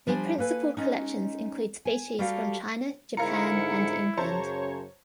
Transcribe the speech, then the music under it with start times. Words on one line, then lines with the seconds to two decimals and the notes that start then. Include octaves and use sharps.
The principal collections include species from China, Japan, and England.
0.07 F3 G3 D4 C5 G#5
0.38 A#3 A4 B4 G#5
0.77 G#3 C#4 D#4
1.85 G#5
2.19 G3 F#4 G4 A4 A#4 F5
3.17 G#2 D3 E4 A#4 F5 A#5 C#7
4.17 F#2 C#3 C5 C#5 A5 A#5